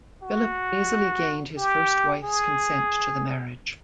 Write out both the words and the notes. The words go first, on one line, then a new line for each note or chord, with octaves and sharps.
Philip easily gained his first wife's consent to the marriage.
F#4
G4
G#4